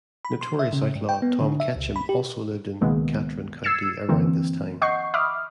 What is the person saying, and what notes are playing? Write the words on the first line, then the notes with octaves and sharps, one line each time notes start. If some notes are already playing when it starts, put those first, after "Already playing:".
Notorious outlaw Tom Ketchum also lived in Catron County around this time.
B5
C6
E5
C#3
G#2
G5
B3
D3
E5
C#2
B5
G4
C#2 B2 D#3 G#3 A#3 B3
E6 G#6 A6 C7 C#7 E7
F#2 D3 E3 A#3 C4
D#5 F#5 C#6 G6 C7
E5 B5 D6 D#6 F6